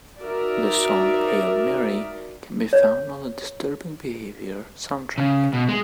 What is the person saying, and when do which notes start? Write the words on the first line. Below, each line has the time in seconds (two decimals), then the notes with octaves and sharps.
The song "Hail Mary" can be found on the "Disturbing Behavior" soundtrack.
0.23 D#4 F#4 A#4 D5 E5
2.73 C#5
5.18 C#3
5.53 B2
5.69 G#3